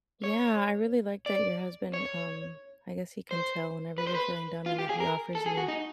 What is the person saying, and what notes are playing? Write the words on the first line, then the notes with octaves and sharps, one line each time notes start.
Yeah, I really like that your husband, um, I guess he can tell whenever you're feeling down, and that he offers you,
C#5
D5
C#5
C5
B4
C5
B4
F4
G4
G#4
A#4
A4
G#4
F#4
D#4